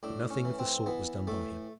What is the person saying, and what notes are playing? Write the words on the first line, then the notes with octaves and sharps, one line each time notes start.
But nothing of the sort was done by him.
A2 D4
C#4
E3
C4
E3 B3
A2 A3